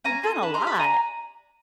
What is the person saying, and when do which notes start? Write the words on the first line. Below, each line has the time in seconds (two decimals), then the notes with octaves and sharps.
You've done a lot.
0.04 C#4 G#5 A#5
0.23 F4 A4
0.42 D4 A5 B5
0.54 A#5 C6
0.61 G4
0.67 A5 B5
0.79 D4 G#5 A#5